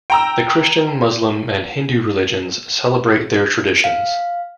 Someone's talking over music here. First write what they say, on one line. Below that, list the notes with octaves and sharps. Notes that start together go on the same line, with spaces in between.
The Christian, Muslim, and Hindu religions celebrate their traditions.
G5 A#5 E6
F5